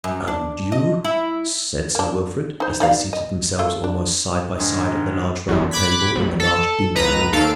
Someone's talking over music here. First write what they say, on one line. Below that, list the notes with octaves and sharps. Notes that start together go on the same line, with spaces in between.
"And you?" said Sir Wilfrid, as they seated themselves almost side by side at the large, round table in the large, dingy room.
F#2
D4
D#5
E4
A#3 D4
D#4 C5
D#4 D5 F5
D#5
A3 A#3 F4
D4
G#2 D#3 G#3 D4
G1 E2
B5 D6 F#6 G#6 B6
A#1
A4
C#2 B4 A#5 D#7
D#2 A4 F5 D7